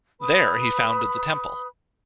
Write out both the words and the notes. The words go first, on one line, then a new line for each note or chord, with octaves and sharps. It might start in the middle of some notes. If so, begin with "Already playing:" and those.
There he founded the temple.
B4 B5 D#6